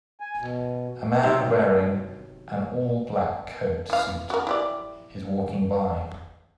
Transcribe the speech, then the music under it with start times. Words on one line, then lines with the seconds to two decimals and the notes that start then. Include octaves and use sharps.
A man wearing an all black coat suit is walking by.
0.20 G#5
0.41 B2
1.23 C3 D#3 F#3 C4
3.90 E3 F5
4.30 F#4 A#4
4.47 E4 G4 D5